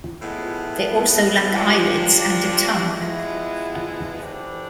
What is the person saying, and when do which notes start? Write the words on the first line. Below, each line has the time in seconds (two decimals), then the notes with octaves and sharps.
They also lack eyelids and a tongue.
0.21 A2 E3 G#3 B3 E4
1.55 F3 A#3 D4 G4
2.87 F3 G#3 B3 E4
4.22 E3 A3 D4 G4 C5